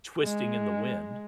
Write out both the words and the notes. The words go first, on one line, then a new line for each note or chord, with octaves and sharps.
twisting in the wind.
G#3